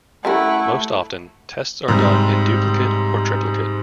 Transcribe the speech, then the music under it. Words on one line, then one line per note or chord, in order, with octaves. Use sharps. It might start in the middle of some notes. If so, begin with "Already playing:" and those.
Most often, tests are done in duplicate or triplicate.
G3 A3 C#4 E4 A#4 F#5
G#2 C3 G3